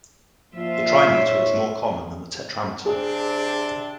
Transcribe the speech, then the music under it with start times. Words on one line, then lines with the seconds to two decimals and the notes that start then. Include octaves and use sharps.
The trimeter is more common than the tetrameter.
0.53 A#2 F3 F4 E5
1.14 G#2 C#5
2.86 C3 C4 D4 G#4